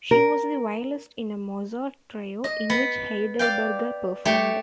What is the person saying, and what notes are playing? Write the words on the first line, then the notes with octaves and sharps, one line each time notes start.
She was the violist in a Mozart trio in which Heidelberger performed.
A#4
D#5
B3
D5 F5 G5
A3 G4 C#5